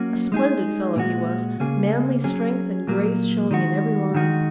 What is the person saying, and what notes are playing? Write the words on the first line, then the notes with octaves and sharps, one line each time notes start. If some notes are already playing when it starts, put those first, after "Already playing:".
A splendid fellow he was, manly strength and grace showing in every line.
Already playing: F#3 A#3 C#4 F#4
G#3 D#4 G#4
A#2 G#3 F#4
C#3 A#3 C#4 G#4
F#3 C#4 G#4
A#2 F#3 A#3
D#3 G#3 F#4
D#3 G#3 D#4 F#4